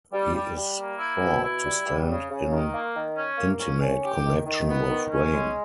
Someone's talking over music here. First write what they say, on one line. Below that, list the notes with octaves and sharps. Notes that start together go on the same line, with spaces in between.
He is thought to stand in intimate connection with rain.
G3
G3
G3
A#3
E4
B2
E4
G3
G3
C#3
C#3
D#3
A#3
D#3
C#4
A#3
C#4
C#4
G4
D#3
D#3
B3
D#3
C#4
G#3